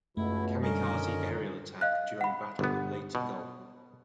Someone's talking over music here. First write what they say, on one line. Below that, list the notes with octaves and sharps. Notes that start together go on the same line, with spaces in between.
Kamikaze aerial attack during Battle of Leyte Gulf.
C#2 F#2 B2 A3 E4
D3 D#3 F3 G3 C#4 A4 A#4 D#5
D#5 F5 F#6
F#5 B5
G1 B3
B2